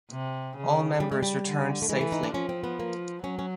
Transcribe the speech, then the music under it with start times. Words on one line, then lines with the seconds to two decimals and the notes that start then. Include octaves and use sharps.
All members returned safely.
0.11 C3
0.56 C#3
1.00 G3
1.12 G#3
1.23 G3
1.46 D3
1.82 A3
1.89 E3 G#3
2.01 A3
2.12 D#4
2.23 D4
2.34 F3 C#4
2.49 C4
2.64 B3
2.79 A#3
3.23 F#3 C#4
3.39 C#4